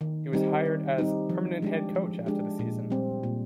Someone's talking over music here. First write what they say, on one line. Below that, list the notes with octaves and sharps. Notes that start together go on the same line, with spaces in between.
He was hired as permanent head coach after the season.
D#3
G3 C4 D#4 G4
D#3
G3 C4 D#4 G4
F3
G#3 D4 G4
F3
G#3 D4 G4
A#2
G3 C4
A#2